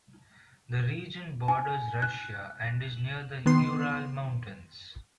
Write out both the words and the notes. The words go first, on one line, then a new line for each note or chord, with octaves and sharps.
The region borders Russia and is near the Ural Mountains.
G#5
F#6
D#3 B3 C6